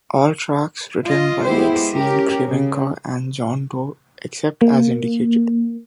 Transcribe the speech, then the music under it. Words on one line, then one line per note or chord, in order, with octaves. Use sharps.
All tracks written by Exene Cervenka and John Doe except as indicated.
F4 D#5
G#3 B3 E4 G4 C5
C#4 G4 A#4
C#3
A#3